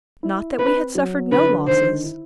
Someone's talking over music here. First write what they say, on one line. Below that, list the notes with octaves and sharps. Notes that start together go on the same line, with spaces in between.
Not that we had suffered no losses.
E4
C4 B4
F#3
D3 B4
D#3 C5
E4